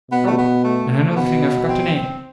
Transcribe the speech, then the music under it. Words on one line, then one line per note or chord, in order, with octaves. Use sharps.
Oh! and another thing I forgot to name!
B2 B3
A3
B3
A3
A3
A3
B2 B3
C4
C4